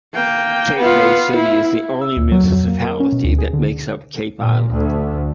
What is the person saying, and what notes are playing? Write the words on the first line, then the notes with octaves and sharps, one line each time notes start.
Cape May City is the only municipality that makes up Cape Island.
A#3 G5
B3 F4
E4
E6
D2
F#3
F2
F#3
A#3
A#4
C#4
B2
D2
G#4
D3
A#2
D2